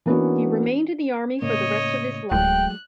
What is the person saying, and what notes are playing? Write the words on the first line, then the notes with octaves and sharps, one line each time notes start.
He remained in the army for the rest of his life.
E3 A#3 B3 C#4 D4 F#4
A2 C#3 A#3 C#5 D#5
D1 F#3 G#3 A3 G5 F#6